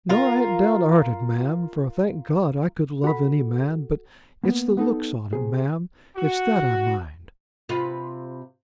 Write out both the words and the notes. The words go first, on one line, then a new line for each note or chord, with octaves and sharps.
'Nor I han't down'arted, ma'am, for thank God I could love any man, but it's the looks on it, ma'am; it's that I mind.'
F4 A#4
F#4 A4 B5
A#3 B3
B3 D#4 A4
C3 G#4
F#4
C3 F4 B4